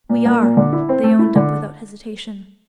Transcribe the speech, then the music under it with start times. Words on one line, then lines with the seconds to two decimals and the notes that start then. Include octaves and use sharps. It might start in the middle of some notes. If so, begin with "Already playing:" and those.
"We are," they owned up without hesitation.
0.09 A#2
0.26 A#3
0.42 A#2
0.57 D3
0.73 E4
0.89 C4
1.04 A3
1.19 E4
1.36 D3